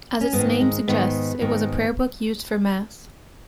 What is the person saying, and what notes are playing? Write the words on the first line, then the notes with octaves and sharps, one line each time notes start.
As its name suggests, it was a prayer book used for Mass.
C#4
G#2 B3
D#3
G#3
G#2 D#3 B3
G#2 D#3